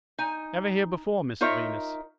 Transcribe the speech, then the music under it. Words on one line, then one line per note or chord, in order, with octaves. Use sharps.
Ever here before, Mr Venus?'
D#4 G#5
D#4 F4 A#4 C#5 D#5 E5